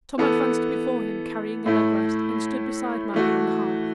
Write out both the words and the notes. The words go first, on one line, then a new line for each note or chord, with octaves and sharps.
Tom advanced before him, carrying the leg-rest, and stood beside Maggie on the hearth.
E3 B3 A4
A2 A3 E4
E3 A3 F#4